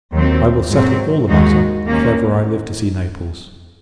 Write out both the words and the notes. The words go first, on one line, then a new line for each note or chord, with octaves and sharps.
I will settle all the matter, if ever I live to see Naples.
D#2 D#3 F#3 C4
G#2 F#3 C4
D#2 D#3 G#3 D#4 F#4
D#2 D#3 A#3 C#4